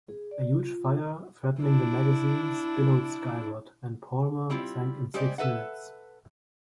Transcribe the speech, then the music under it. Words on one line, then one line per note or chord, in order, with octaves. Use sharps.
A huge fire, threatening the magazines, billowed skyward, and "Palmer" sank in six minutes.
G#4
D5
F4
D4 E4
G3 C4 E4 F4
G3 G#3 G4 C5 D5
A4 B4 E5 F#5